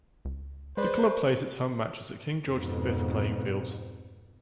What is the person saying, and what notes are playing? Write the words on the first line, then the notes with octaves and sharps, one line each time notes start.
The club plays its home matches at King George the Fifth playing fields.
C#2
G#3 G#4 B4 C5 D5
F2 G#2 B2